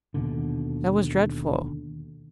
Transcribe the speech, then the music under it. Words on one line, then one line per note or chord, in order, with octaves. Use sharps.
That was dreadful.
D#2 B2 D3